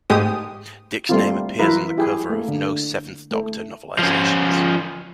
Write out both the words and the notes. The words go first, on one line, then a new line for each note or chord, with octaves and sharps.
Dicks' name appears on the cover of no Seventh Doctor novelisations.
G#2 G#3 A3 G4 D#6
G3 A3 A#3 C4 F4
E3 F#3 E4 F4 A#4 B4
E4 G4 G#4
A3 A#3
D3
A3
F3 C#4